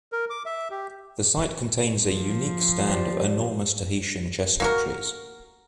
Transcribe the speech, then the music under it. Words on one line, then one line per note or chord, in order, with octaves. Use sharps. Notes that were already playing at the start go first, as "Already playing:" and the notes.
The site contains a unique stand of enormous Tahitian chestnut trees.
A#4
D6
E5
G4
F3
G4 C5 D5
A#3 F#4 A#4